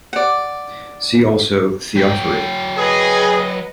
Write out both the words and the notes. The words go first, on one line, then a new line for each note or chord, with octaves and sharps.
See also Theophory.
D5 F#5
F#3 G5
G#4 B4 D#5